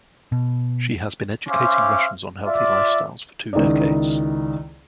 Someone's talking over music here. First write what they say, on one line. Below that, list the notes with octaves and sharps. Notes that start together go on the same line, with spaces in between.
She has been educating Russians on healthy lifestyles for two decades.
B2
C#4 C5 E5 F5 C6 D6
F4 D5 E5
C#2 D#3 D#4 E4 D5